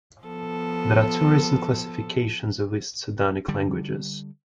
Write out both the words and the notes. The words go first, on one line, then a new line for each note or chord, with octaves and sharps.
There are two recent classifications of East Sudanic languages.
F3 B3 A4
D3 G3